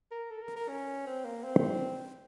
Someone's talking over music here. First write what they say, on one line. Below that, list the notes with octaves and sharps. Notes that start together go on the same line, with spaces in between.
The "Edmonton Journal" noted Porritt had represented the Mackenzie District in the legislature.
A#4
A4
A#4
A#4
C#4
C4
A#3
C4